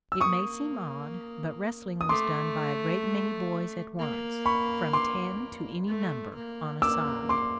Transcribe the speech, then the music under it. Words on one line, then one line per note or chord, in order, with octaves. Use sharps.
It may seem odd, but wrestling was done by a great many boys at once--from ten to any number on a side.
E6
A#3 C#6 D#6
D#6
A3 C6 D6
A#3
B5 C#6
C6 D6
A3
A#3
A#3 D6 E6
C6 D6